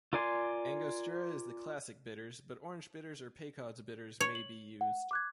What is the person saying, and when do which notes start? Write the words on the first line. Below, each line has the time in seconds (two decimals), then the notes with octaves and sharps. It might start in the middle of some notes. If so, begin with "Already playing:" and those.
Angostura is the classic bitters, but orange bitters or Peychaud's Bitters may be used.
0.13 F4 A#4 D5 G#5 C6
4.21 C#5
4.35 F#7
4.81 F#5
5.11 D6 F#6 G#6